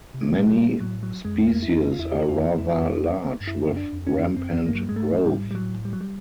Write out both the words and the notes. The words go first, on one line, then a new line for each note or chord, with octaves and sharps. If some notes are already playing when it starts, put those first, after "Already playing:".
Many species are rather large with rampant growth.
C3
G#3
A#2
F#3
B2 G3
A#2
A2 F#3
F#3
F#2 G#3
F2
E2 A#3
F2
E4
F2 D#4
F4
E2 E4
G4
F#4
F2 F4
E4
F4
E4
G2
F#2 E4
F#2
D4
F2
C#4
F#2
F#2 C4
G2 A#3
F#3
G3
G2 G#3
G#2 A3
A2 G3
G#2
A2 G3
F#3
G3
F#3
G3